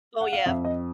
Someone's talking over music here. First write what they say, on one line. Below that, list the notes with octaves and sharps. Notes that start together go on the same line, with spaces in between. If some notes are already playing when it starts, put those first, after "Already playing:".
Oh, yeah.
F#5
F5
F2 E5
D#5